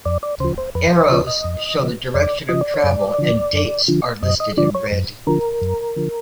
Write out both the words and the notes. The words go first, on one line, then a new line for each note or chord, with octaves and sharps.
Arrows show the direction of travel and dates are listed in red.
F2 D5
D5
C#3 F3 C5
C5
F2 B4
C5
C#3 F3 C#5
D#5
F2
C#3 F3
F2 D5
C#3 F3 D#5
D5
C#5
F#2 D5
D3 F3
F#2
D3 F3
F#2 D#5
D#5
D3 F3 D5
C#5
F#2
D3 F3 A#4
F#2
D3 F3